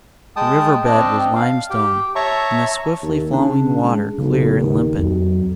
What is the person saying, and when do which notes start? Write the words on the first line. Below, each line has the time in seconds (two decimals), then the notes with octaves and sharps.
The river bed was limestone, and the swiftly flowing water, clear and limpid.
0.36 G#3 G5 A5 D#6
0.85 C4 D4 D#5 G5 A5
1.35 F5
1.70 G4 G5
2.16 C#5 E5 A5 A#5 C#6
3.02 D#2
3.33 C#3 D4
3.83 G#3
4.18 B1 C#3
4.57 D#2
4.99 F2 F#3